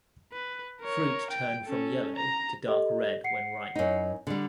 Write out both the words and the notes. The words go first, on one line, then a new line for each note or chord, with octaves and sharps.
Fruit turn from yellow to dark-red when ripe.
B4
A#4 C#5
G5
C#4 A4
A#5
G4 A4 D#5
F#5 C7 C#7
F#2 D#4
D3 G3